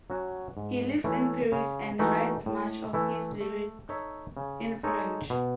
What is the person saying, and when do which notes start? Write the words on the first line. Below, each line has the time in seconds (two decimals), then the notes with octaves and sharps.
He lives in Paris and writes much of his lyrics in French.
0.10 F#3 C#4 F#4
0.57 G#2
1.04 E3 A3 C#4 E4
1.52 C#3
1.99 E3 A3 D#4 F#4
2.46 A2
2.93 E3 A3 E4
3.41 A3
3.89 D#4 A4 C#5 E5
4.37 C#3
4.83 G#3 D#4 A4 C#5
5.30 B2